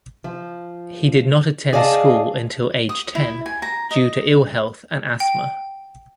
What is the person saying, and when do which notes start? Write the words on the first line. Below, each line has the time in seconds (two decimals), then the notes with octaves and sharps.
He did not attend school until age ten due to ill health and asthma.
0.24 F3
1.73 G#4 D5 D#5 F5 A5
2.89 D#6
3.15 E4
3.46 G#5
3.62 A#5
3.91 D#5
5.20 G5